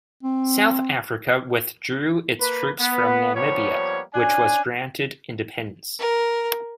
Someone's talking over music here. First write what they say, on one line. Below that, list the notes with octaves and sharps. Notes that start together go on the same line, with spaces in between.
South Africa withdrew its troops from Namibia, which was granted independence.
C4
A#3 B4
B3
F3 G3 A#3 B3 C#5
C#4 D4 G#5
A#4